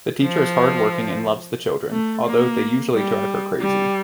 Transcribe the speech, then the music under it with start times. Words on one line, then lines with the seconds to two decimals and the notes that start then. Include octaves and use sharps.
The teacher is hard-working and loves the children, although they usually drive her crazy.
0.22 F3
1.91 A3
2.26 A#3
2.94 G3
3.61 G3